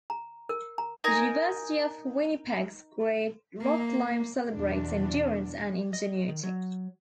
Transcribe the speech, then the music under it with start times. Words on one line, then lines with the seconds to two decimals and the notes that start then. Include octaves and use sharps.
The University of Winnipeg's Great Rock Climb celebrates endurance and ingenuity.
0.10 A#5
0.49 A#4
0.78 A#5
1.04 D#4 A#4 G#5 A#5
3.60 A#3
4.53 E2 B2 D4
5.93 D#5
6.29 D#3
6.43 F#3